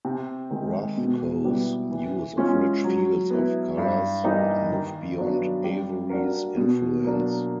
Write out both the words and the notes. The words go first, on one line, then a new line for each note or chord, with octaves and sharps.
Rothko's use of rich fields of colors moved beyond Avery's influence.
C3
D#3 G#3
B2
G3 B3 E4
E3
G#3 C#4 F4
F#3
B3 E4
G2
E3 G3 A#3 D#4
D#3
F#3 B3 D4
G3
A#3 D4 F#4 A#4
B2
F#3 A#3 D4